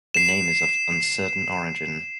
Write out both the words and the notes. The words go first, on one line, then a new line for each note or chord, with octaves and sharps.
The name is of uncertain origin.
C7 E7